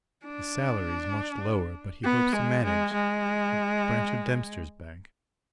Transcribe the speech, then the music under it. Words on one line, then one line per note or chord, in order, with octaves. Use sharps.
The salary's much lower, but he hopes to manage--a branch of Dempster's Bank.
D4
B3
G#3
G#3
G#3